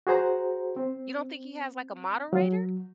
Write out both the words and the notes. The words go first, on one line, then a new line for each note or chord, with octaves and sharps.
You don't think he has, like, a moderator?
F#4 G#4 C5 A#5
C4
F#3